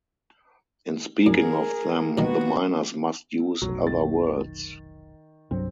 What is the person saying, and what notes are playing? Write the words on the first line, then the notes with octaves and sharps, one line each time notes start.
In speaking of them the miners must use other words.
F#2 G#4 A#4
B1 D#3 A#3 B3 F#4
F1 B1 F#3
D#3 A6
C2 G2 F#3 C4